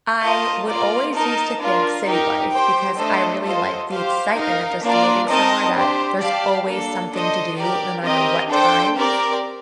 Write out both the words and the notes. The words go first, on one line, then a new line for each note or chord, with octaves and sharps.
I would always used to think city life because I really like the excitement of just living somewhere that there's always something to do no matter what time,
F4 A#4 D#5 A5
A#3 F4 A#4 D5
D#4 A#4 D#5 A5
D4 F4 A#4
D#4 G4 A#4
G4 C5 G5
A3 D4 A4 C5 D#5
F4 A4 C5 D#5
G4 C5 F5
D#4 A#4 F5
A#3 D4 F4 A#4 D5
C4 D#4 A#4 D#5 A5
D4 G4 C5
G4 D5 F5 A5
A#3 D4 A4
D4 A4 C5 D#5
G4 A#4 D5
C4 G4 A#4 D#5
D4 A4 C5 G5
C4 G4 A#4 D5